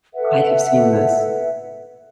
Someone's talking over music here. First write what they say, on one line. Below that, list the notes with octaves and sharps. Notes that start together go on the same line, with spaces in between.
I have seen this.
A4 B4 E5 F#5